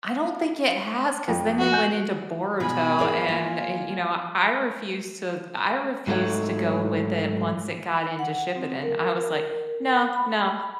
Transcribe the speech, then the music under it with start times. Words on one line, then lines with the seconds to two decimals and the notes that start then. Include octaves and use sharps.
I don't think it has, 'cause then they went into Boruto, and, eh, you know, I refused to I refused to go with it once it got into Shippuden, I was like, "No, no."
1.28 F2
1.59 F#4
1.72 G#5 G6
2.60 B2 G#5 B5
2.99 G#4 A#4 D5
3.28 A#3 F4 G#5
6.07 G#2 F#3 A3 D4 C#5 F#5
8.19 F#5
8.55 C4
8.82 A#4
10.13 B5